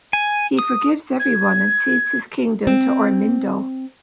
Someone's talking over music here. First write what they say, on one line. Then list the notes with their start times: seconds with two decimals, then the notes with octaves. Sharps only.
He forgives everyone and cedes his kingdom to Ormindo.
0.13 G#5
0.59 D#6
1.20 G#6
2.67 C4